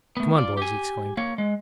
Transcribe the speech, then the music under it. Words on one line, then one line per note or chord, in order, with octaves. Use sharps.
"Come on, boys!" he exclaimed.
A3 B3
F4 D5
G4 G#5
A#3 C#5
G#3